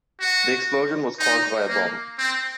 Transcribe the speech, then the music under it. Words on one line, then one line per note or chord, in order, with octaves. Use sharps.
The explosion was caused by a bomb.
F#4
D#4
A#3
C4